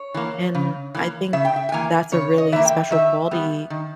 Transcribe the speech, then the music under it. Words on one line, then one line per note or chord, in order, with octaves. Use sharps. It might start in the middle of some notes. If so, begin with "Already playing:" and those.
and I think that's a really special quality-
Already playing: C#5
E3 A#3
C#3
E3 A#3
C#3 E5
G5
E5
G5
E3 A#3 G#5
C#3 C#5
D#5
E3 A#3 E5
G5
D#3 E5
G3 B3
D#3